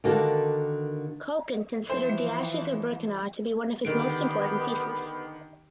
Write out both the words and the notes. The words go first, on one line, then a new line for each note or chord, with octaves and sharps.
Kochan considered "the Ashes of Birkenau" to be one of his most important pieces.
D3 D#3 A#3 F#4 A4
E3 F3 C5
D3 D#3 B3 G4 D7